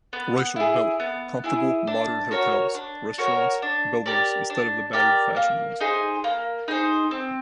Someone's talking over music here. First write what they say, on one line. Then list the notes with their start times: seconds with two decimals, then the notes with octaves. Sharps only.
Reischl built comfortable, modern hotels, restaurants, buildings instead of the battered fashioned ones.
0.13 B3
0.56 E4 G#4
1.00 B3
1.44 E4 G#4
1.87 D4
2.31 F#4 A#4 C#5
2.74 D4
3.18 F#4 A#4 C#5
3.62 D4
4.06 G4 A#4 D5
4.50 D4
4.93 G4 A#4 D5
5.37 A#3
5.80 D#4 G#4 C5
6.24 A#3
6.68 D#4 G#4 C5
7.11 C4